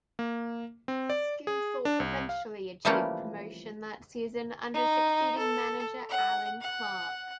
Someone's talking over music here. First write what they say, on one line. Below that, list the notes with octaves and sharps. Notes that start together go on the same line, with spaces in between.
Scunthorpe eventually achieved promotion that season under succeeding manager Allan Clarke.
A#3
C4
D5
G#4
D4
C2
F5
E3 F3 G3 A3 A#3 C#4
D#4
A4
F#5
F#5